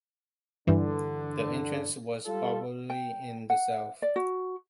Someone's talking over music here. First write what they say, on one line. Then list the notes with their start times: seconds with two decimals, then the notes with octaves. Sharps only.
The entrance was probably in the south.
0.67 G2 D3 E3
2.26 G3 F4 A4
2.90 G5
3.50 F#5
4.02 D5
4.16 F#4